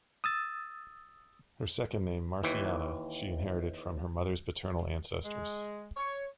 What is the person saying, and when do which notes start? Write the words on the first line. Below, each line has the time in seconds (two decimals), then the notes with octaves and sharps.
Her second name "Marciana" she inherited from her mother's paternal ancestors.
0.24 D#6 E6 A6
2.43 D#2 E3
5.24 G#3
5.97 C#5